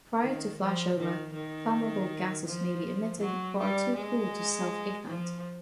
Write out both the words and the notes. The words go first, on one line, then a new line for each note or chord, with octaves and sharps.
Prior to flashover, flammable gases may be emitted but are too cool to self-ignite.
D#3
F3
D#3
D#3
F3
F#3
G3
G#3
F3